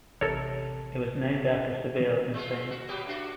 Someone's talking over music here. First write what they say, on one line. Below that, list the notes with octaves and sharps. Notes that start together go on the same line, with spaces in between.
It was named after Seville, in Spain.
A1 C3 A4 A#4 C#5 A5
G#3 A3 F4
F#4
F#3 B3 G4
A3 D4 F#4